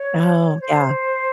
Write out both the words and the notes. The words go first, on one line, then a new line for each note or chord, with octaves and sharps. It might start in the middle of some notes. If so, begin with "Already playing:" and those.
Oh, yeah.
Already playing: C#5
C5